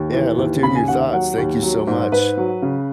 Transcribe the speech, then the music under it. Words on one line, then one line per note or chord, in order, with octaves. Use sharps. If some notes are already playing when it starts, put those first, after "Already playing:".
Yeah, I loved hearing your thoughts. Thank you so much.
Already playing: D#2
E3
D#2
C#3 B5
G#5
D#2 F#5
E5
F#3 F#5
D#2
F#3
G#2
G#2 B4
F#3
C#3